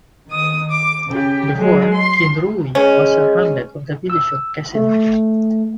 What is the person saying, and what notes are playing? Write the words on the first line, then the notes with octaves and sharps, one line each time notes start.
Before, Kinrooi was a hamlet of the village of Kessenich.
D#3 D#6
D6
C#3 G4
F#3 G#3
C6
G#3 C#4
E6
A3